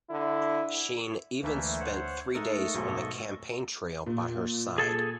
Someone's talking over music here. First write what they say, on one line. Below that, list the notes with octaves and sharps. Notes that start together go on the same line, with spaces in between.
Sheen even spent three days on the campaign trail by her side.
D3 E4
D2 E3 A3 A#3 E5
C5 C#5 F#5
G#3 A3 D#4 A4 A#4 D#5 C#6
B1 G#2 F#3
A#2
G#4 A4